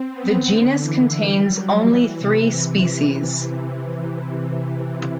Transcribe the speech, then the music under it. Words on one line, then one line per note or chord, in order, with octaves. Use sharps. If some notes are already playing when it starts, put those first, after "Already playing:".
This genus contains only three species.
Already playing: C4
B3
D3
E3
G3
F#3
E3
C3